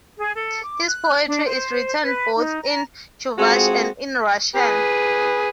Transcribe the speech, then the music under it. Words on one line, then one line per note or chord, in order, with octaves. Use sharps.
His poetry is written both in Chuvash and in Russian.
G#4
A4
D6
F#6
D4
C5
B4
D#4
A#5
G#3 C4 F4 F#4 G#4 A4
G#4 B4